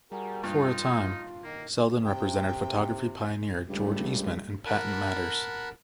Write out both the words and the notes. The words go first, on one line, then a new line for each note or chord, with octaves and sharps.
For a time, Selden represented photography pioneer George Eastman in patent matters.
G3 F#4 G#4 A#4
G2 D#4 F4 F6
D#3 A#3
C3 G5
C#2 G2 G3 A3
A#4 F#5 A5 B5